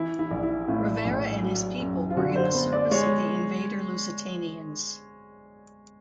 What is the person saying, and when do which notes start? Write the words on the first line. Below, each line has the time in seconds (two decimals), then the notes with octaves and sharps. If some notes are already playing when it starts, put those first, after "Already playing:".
Rivera and his people were in the service of the invader Lusitanians.
Already playing: E3 E4
0.19 E4
0.31 A#1
0.43 E4
0.68 A2 F4
1.05 A#1
1.43 F#3
1.80 F#2
2.10 F4
2.17 D3 F#4
2.36 C5
2.54 B3
2.72 D5
2.91 G#3 C#5